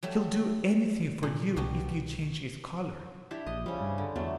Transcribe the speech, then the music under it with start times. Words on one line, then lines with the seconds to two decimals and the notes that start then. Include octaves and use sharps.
He'll do anything for you if you change his color.
0.03 F#3 G3 A3
1.23 A#2 D3
1.56 C2 B2 F#4 G4
3.31 D4 E4 G4
3.47 A#1 D#5
3.66 C#3 F3 G3
3.80 G2
3.98 D3
4.16 E2 F#3 A3 D5